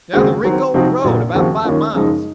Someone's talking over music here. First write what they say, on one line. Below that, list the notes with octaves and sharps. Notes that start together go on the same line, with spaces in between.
"Down the Ringgold road about five miles."
D#2 C#3 G#3 C4 F#4
D#3 F#3 C4
C3 F3 C4 D#4 F#4
A#1 A#2 F#3
D#2 C#3 F3 C4 F#4
D#2 D#3 A#3 C#4 F4
F#2 C#3 F3 G#3 D#4